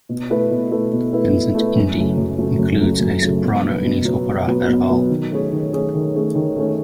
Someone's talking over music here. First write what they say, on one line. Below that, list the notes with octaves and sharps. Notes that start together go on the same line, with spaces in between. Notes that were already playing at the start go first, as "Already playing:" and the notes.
Vincent d'Indy includes a soprano in his opera Fervaal.
B2
A3 E4 B4
B2
A3 E4 B4
B2
A3 E4 B4
B2
A3 E4 B4
F#2
C#3 F#3 A3
F#2
C#3 F#3 A3
F#2
C#3 F#3 A3
F#2
C#3 F#3 A3
B2
F#3 B3
B2
F#3 B3
B2
F#3 B3
B2
F#3 B3
D#3
A3 C#4 G#4 C#5
D#3
A3 C#4 G#4 C#5
D#3
A3 C#4 G#4 C#5
D#3
A3 C#4 G#4 C#5